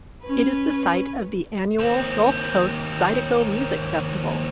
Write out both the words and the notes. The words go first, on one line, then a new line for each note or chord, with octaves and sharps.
It is the site of the annual Gulf Coast Zydeco Music Festival.
C#4 B4
D#2 C4